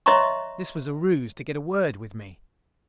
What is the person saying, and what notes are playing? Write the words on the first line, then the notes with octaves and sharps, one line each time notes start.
This was a ruse to get a word with me.
C#5 D#5 E5 A#5 C6 C#6